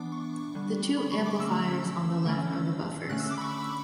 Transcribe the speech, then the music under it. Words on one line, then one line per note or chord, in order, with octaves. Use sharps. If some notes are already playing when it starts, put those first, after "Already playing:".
The two amplifiers on the left are the buffers.
Already playing: E3 B3 D4 D6
C#6
D3 G3 D4
B5
C#6
D6
D3 A3 C#4 E6
D3 A3 C#4
D3 A3 C#4 F#6
E6
D6
B5
C#6